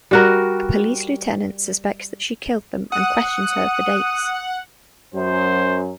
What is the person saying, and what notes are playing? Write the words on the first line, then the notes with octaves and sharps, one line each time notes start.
A police lieutenant suspects that she killed them and questions her for days.
G3 F#4 A#4
F#5 D#6
F#2 F#3 C5